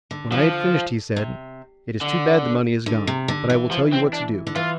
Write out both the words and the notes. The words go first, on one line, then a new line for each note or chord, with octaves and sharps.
When I had finished he said: 'It is too bad the money is gone, but I will tell you what to do.
D3
D3 F3
C3
D3
D3
C3
D3
E3
F3
C4
D4
D3
E3 F4